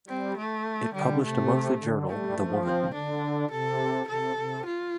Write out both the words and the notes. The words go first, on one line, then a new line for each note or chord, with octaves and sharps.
It published a monthly journal "The Woman".
G3 C4
A3
D3 G3
C3 A3
D3
G3 A3
F3
C4
D3 D4
C3 A4
C3 A4
C3
F4